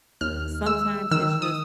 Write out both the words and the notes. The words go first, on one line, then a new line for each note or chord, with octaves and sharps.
sometimes it's just
D#2 F6
G#3 E6
D#3 E6
D#6